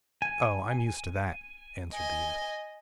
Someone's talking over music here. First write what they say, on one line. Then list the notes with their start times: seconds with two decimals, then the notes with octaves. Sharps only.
'Oh, I am used to that,' answered the youth.
0.22 G#5
1.94 D#5 G#5